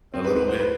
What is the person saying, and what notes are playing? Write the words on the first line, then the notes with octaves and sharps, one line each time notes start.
a little bit,
C4
B4
B4
C5
B4